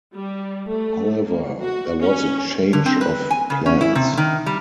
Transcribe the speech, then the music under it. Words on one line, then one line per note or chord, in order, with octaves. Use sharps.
However, there was a change of plans.
G3
A3
A#3
F#4
C#4
D3
C4
B4
G#5
C#3
C#4
E4
C3
D#3
G3